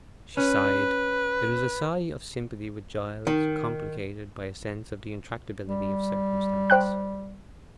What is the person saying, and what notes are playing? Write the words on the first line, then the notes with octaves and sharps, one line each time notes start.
She sighed; it was a sigh of sympathy with Giles, complicated by a sense of the intractability of circumstances.
C#4 B4
D#3
G3
C5 G5 F#6